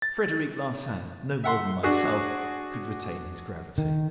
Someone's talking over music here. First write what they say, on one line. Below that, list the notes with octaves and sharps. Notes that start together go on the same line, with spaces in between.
Frederic Larsan, no more than myself, could retain his gravity.
A6
E5 F#5 C6
D4 F#4 G#4
D#3